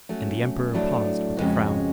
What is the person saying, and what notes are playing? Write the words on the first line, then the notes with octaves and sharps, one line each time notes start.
And the Emperor paused, with a frown.
F#3 A3 C#4
A2 F#3 A3 D4
F2 C#3 G#3 C#4 F#4